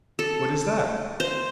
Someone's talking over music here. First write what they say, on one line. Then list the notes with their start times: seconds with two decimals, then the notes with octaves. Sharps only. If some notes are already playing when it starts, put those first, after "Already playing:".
What is that?
0.19 A4
1.20 C5